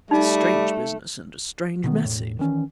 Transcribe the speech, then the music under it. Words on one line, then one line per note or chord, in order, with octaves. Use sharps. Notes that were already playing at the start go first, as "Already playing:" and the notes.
It's a strange business and a strange message.
G3 A3 D#4
B2 D#3 B3
E1 A2
D#3 E3 C#4